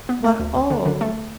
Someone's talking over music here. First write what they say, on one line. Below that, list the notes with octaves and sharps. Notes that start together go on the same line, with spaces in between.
But oh!
B3
A3
D2
D2
D3
D3
A3